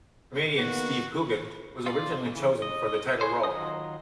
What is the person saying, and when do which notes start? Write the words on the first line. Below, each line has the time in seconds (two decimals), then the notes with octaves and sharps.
Comedian Steve Coogan was originally chosen for the title role.
0.57 D#3 A#3 B3 F#4
1.86 F4 D5
2.26 C#3 E3
2.62 D#5
3.21 G#4 C5
3.43 D#3 F#3 F4 D#5 D#6